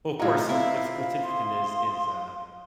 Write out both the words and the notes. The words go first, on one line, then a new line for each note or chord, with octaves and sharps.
Well, of course, what's what's interesting is is, uh,
A2 F4 F#4 D#5 F5 A#5
C4 E4
C6 D#6